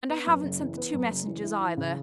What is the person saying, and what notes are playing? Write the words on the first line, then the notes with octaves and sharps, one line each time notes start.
And I haven't sent the two Messengers, either.
B3
F#2
F#1
E3
B3
F#2
F#1
E3
E4
E3
C#3